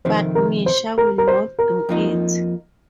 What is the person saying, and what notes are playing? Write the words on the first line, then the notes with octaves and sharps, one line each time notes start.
But Misha will not do it.
F2 C3 D#3 C5
A#4
C5
A#4
A#4
C5
A#4
F2 F3 A#3 D#4